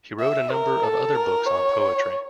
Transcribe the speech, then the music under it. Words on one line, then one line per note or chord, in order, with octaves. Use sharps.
He wrote a number of other books on poetry.
E5
A#4
A4
A#4
C#5